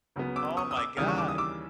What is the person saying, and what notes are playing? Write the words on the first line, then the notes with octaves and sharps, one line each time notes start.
oh my god.
C#2 C#3 F#3 B3
D6 E6
C#6 D#6
D#6
D6 E6
D#2 C#3 E3 G3 D#6 F6
C#6
D6
D#6
D6 E6